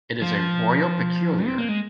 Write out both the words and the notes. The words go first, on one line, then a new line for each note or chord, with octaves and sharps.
It is a Royal Peculiar.
F3
C4
A#3
G#3